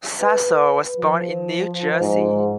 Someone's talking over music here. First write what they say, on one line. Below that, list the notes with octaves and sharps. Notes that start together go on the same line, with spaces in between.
Sasso was born in New Jersey.
B4
F3
G#2